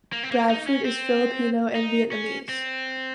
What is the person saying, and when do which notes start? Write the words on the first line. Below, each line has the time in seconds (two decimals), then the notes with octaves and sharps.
Bradford is Filipino and Vietnamese.
0.13 A#3
0.23 C4
0.31 A#3
0.49 D#4
0.67 C#4
0.85 C4
1.75 D#4
2.12 C#4
2.49 C4